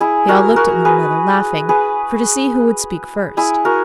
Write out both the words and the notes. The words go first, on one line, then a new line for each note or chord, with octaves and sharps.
They all looked at one another, laughing, for to see who would speak first.
E4 G#4
F#4 A#4
F#4 A#4
G#4 B4
G#4 B4
E4 G#4
F#4 A#4